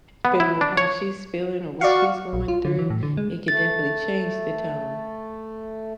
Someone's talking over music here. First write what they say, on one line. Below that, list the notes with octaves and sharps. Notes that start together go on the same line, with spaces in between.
depending on how she's feeling, or what she's going through, it could definitely change the tone.
B3
E4
D4
C#5
F#4 D5 F5 C#6
A#1
F4
D3
E3
A2
D3
G#3
A3 A6